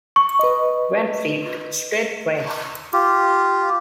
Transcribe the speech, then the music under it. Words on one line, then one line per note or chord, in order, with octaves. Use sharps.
Van Fleet State Trail.
C#6
B4 D#5
F4 G4